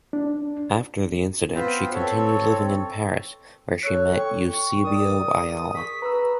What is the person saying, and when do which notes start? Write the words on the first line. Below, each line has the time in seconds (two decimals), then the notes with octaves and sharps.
After the incident, she continued living in Paris, where she met Eusebio Ayala.
0.13 D4
1.55 B3 C4 F4 B4 C5
1.94 C4 A4 C#5
3.83 A4 C#5 E6 F#6
4.17 G5 C#6
4.84 A#4 D5 D#6
5.75 G#4 C#6 D#6 B6
6.02 B4 A#5 E6